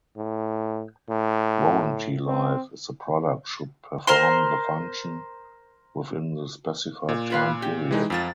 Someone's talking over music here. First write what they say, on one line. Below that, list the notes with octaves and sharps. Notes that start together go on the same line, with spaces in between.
Warranty life is the product should perform the function within the specified time period.
A2
A2
C4
A#4 C5 C6
A#2
F4 B4 F5
G4
E3 G#3 D#4
F2 F#3 F4 A#4 A6